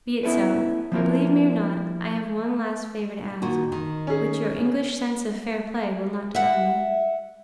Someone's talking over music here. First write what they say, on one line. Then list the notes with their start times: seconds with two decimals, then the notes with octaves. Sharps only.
Be it so. Believe me or not, I have one last favor to ask, which your English sense of fair play will not deny me.
0.23 B3 C#4 E4 A4 B4
0.92 F3 A#3 C4 E4 F4 A#4
3.42 A#2 D#3 F#4
3.72 D#3
4.07 C#4 G#4
6.35 E5 F#5